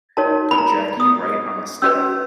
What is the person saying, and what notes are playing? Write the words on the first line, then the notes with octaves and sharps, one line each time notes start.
Put Jackie right on the staff.
D#4 F#4 A#4 C#5 A5
B5
A#5
D#6
C#4 F#4 B4 E6